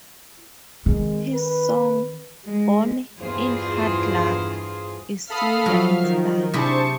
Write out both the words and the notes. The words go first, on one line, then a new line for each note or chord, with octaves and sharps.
His song "Born in Hard Luck" is similar in style.
D#3 G#3 C4
B4
G#3
E2 G2 F4 G#4 C5
A4 E5 F5 B5 D#6 F6
F3 F#3
D#3
C3 D4 E4 G#4 C5 A5 C#6 C#7